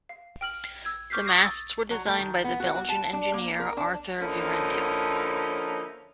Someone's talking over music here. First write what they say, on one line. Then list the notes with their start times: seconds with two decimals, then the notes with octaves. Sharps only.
The masts were designed by the Belgian engineer Arthur Vierendeel.
0.09 F5
0.41 G5 F6 F#7
0.85 E6 G#6
1.10 C#6 D6 F6 G6 B6 C7
1.26 C#6 D#6 G#6 A#6 C7
1.44 E6 A6
1.90 F#3
2.05 A3
2.19 D#3
2.44 B3
2.60 F#4
2.75 F#4
2.89 A5
3.13 D4
3.34 A#3
3.60 A#4
3.77 D4
4.20 D3 F3 A#3 C#4 D#4 E4